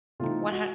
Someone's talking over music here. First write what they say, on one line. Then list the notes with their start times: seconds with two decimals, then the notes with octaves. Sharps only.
One hun
0.20 C3 E3 A3 C4 D#4 F4
0.52 F#4